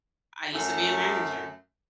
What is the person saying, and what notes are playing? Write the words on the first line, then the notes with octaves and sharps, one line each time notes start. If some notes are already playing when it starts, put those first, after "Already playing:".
I used to be a manager,
F#2 A3